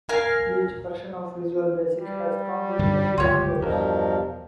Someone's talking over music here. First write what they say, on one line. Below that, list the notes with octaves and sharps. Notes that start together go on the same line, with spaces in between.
Each version of Visual Basic has come with many controls.
A#4 F5 G#5
G3
G2 D3 D#3
G1 C#2 F#3 F4 G4 C#5
E2 G2 B2 F3 A#4